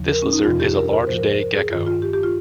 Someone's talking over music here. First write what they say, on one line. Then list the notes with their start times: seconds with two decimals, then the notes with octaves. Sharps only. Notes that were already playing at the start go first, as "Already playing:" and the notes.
This lizard is a large day gecko.
Already playing: D#2 C#3 F3
0.12 A#4
0.22 C#4
0.33 D#4
0.44 F2 C3 F3 F4
0.60 G4
0.76 A#4
0.91 A#4
1.07 G#2 F3 C5
1.18 A#4
1.28 C5
1.39 A#4
1.55 G#4
1.70 G2 D#3 F4
1.87 F4
2.02 G4
2.13 G4
2.24 F4